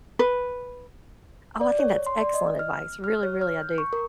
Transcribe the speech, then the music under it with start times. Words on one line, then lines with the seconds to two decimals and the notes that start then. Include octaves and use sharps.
oh, I think that's excellent advice, really, really I do,
0.19 B4
1.61 D5
1.79 C#5
2.07 C6
2.21 D5
2.34 D#5
2.59 F6
3.04 F6
3.23 C#5
3.41 F6
3.61 G6
3.78 C#6
3.93 A#4